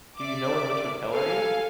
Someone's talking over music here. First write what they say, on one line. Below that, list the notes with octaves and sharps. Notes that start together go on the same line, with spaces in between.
Do you know in which hotel are you?
D5 E5 D6
A4 F5 G#5